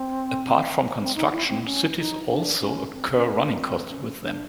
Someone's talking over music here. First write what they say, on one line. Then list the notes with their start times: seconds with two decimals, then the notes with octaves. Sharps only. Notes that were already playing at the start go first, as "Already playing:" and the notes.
Apart from construction, cities also occur running costs with them.
Already playing: C4
1.01 C4
1.16 D#4
1.32 E4
1.48 C4
1.65 C#4
1.97 D#4
2.29 D4
2.60 C#4
2.93 C4
3.14 C#4
3.35 D4
3.57 C4
3.89 C#4
4.21 D4